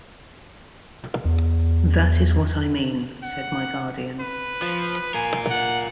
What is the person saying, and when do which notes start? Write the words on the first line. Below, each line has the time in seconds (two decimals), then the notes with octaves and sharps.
"That is what I mean," said my guardian.
1.25 E2
3.23 F#5
4.20 B4
4.62 F3
5.14 F4 A#4 G#5
5.50 F#5